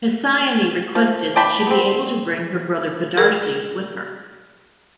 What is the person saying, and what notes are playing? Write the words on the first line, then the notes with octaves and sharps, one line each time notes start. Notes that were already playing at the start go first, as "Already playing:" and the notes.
Hesione requested that she be able to bring her brother Podarces with her.
F3
D5 G5 A5 B5
B3 C4
G#4 A#4